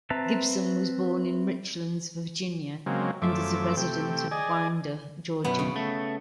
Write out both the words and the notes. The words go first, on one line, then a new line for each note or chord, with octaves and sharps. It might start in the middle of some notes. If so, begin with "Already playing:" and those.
Gibson was born in Richlands, Virginia, and is a resident of Winder, Georgia.
C4 B4 E5 A5 A#5
C#3 F#3 G#3 A#3 C4
F#2 F3 A3 E5 D6
C3 A3 G5
G#4 D5 D#5 G#5
F#2 B2 B3
C#3
A3